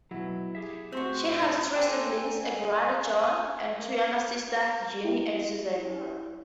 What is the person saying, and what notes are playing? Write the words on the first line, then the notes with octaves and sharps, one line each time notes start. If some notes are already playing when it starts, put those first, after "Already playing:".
She has three siblings: a brother, John, and two younger sisters, Jeanne and Susan.
B2 F#3 E4
G4 G#4 E5
A3 C4 F#4 C6 G6
B1 D#4 E4
A4 C5 D5 G5 G#5 A#5
G#5
A#3
E4 G4